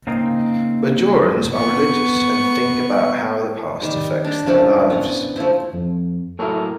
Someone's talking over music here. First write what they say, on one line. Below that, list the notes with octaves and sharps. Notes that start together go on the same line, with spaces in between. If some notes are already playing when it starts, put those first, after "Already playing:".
Bajorans are religious and think about how the past affects their lives.
C#3 A#3 C4 D#4
B3 C#6
D#3 G3
D4 A#5
F3 C#4 D4 E4
B3 A#5
F3 A3 E4 C5
F2
A2 F#3 E4 A4 A#4